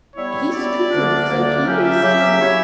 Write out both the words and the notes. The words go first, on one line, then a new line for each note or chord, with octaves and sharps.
He's cuckoo. So he used to
G3 B3 E4 C#5
G3 B3 E4 D5
D2 D3 A#3 D4
D2 D3 A#3 D4
C#3 F#3 C#4 G4 E5
C#3 F#3 C#4 G4
F#3 C#4 E4 G4 C#5